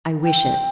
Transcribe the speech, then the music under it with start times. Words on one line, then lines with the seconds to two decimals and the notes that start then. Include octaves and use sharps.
"I wish it."
0.24 G5